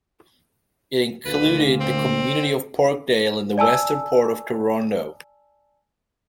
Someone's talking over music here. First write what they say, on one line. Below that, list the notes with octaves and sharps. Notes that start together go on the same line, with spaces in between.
It included the community of Parkdale in the western part of Toronto.
D2 A#2 B4
C4
D5 G#5 A5 E6